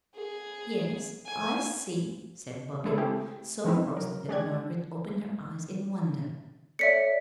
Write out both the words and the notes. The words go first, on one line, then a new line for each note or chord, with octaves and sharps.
"Yes, I see," said Bobby, so crossly that Margaret opened her eyes in wonder.
G#4
G#5
C#3 G#3 B3 E4 G#4 A4
A3 C4 E4 G4 G#4
E3 F3 B3 C4 D#4 E4
F#3 A#4
G#3 C#4 G4 D5 F#6 G#6
A4 C#5 D5 E5 B6 C#7